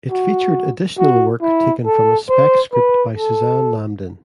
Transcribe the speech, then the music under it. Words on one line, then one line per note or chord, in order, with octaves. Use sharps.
It featured additional work taken from a spec script by Susanne Lambdin.
F#4
F#4
E4
A4
C5
B4
A4